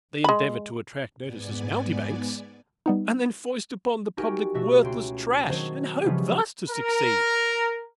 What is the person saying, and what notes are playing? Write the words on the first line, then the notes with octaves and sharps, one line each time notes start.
They endeavor to attract notice as mountebanks, and then foist upon the public worthless trash, and hope thus to succeed.
G#3 B5
G#2 B3 D5 G#5
G3 B3 D#4
D#4 F#4 G4 A#4 G5 G#5
B2 A3 F#4 E5
C#2 G5 C6
D#3 F#3 C4 D4 C5 C#5
C#3 E3 F3 G3 G#3 B3
A#4